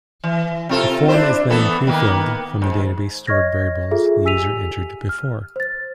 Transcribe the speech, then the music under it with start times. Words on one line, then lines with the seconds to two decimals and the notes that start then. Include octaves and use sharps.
The form is then pre-filled from the database-stored variables the user entered before.
0.23 E3
0.69 C3 F4 A4
1.08 D4 E4 C5
1.50 E3 B3 A4
1.87 D#3 A#3 B3
2.62 G#2
3.27 C#5 D#5 C#6 F6 G#6 A#6
3.91 F4 G#4 A4 E5
4.25 G4 G#5 E6 B6 D#7 F7
5.09 F6
5.56 C5 A6